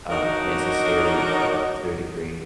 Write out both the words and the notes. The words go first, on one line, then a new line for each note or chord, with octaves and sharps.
uh, necessary, um, to a degree.
D4 D#4 F#4 A#4 C#5 D#5